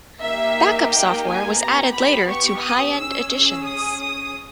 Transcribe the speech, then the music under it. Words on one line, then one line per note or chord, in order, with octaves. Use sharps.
Backup software was added later to high-end editions.
A#3 D#4 G4 E5
G5
G#5
B3 G4 A#5
B5
C#6
D#6
C#4 G#4 E6
E6
D#6
D#6